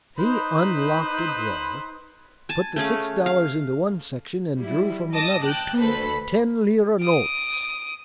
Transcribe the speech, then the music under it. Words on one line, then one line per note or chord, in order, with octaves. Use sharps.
He unlocked a drawer, put the six dollars into one section and drew from another two ten-lira notes.
D#4 B4 C5 B5
G#5 A5
A3 C#4 G#4 F5
F5
F#3 G3 E4
D#5 A5 D6 D#6 A#6
G5 A5 F#6
D2 A4 B4 C5 B5
D#6 D7